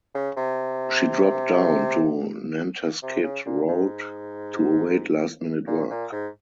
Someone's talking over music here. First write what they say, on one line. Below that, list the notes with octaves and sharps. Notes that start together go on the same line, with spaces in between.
She dropped down to Nantasket Road to await last minute work.
C#3
C3
C3
C#3
A#2
G#2
A#2
A#2
G#2